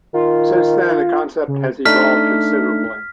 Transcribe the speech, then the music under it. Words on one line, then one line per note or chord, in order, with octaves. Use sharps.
Since then, the concept has evolved considerably.
D#3 F4
C#3
A3 D4 D#4 F6 B6